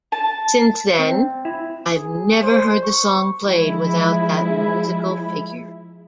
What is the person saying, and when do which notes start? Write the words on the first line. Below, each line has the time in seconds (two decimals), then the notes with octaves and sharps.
Since then, I've never heard the song played without that musical figure.
0.12 A5
0.99 C4
1.45 E4
1.96 G#4
2.42 C5
2.83 C#6
3.43 F3 G#3 E4